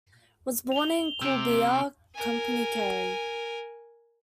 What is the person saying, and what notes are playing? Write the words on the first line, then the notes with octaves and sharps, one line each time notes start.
Was born in Coolbeha, Company Kerry.
F7 G7
C3 E6 D7
A#4 G#5